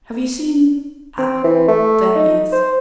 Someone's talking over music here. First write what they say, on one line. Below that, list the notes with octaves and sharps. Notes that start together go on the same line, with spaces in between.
Have you seen--ah! there he is.
C4
E3
A3
D#4
C5